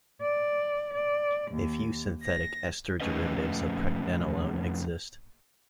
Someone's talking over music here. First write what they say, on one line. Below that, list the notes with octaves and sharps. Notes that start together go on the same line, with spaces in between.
A few synthetic ester derivatives of pregnenolone exist.
D5
D5
D#2
A#6
F2 A3 C#4 B4 D#5